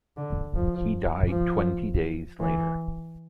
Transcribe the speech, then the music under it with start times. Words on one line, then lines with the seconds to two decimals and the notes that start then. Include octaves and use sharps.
He died twenty days later.
0.17 D3
0.55 F3
1.29 F3
2.40 E3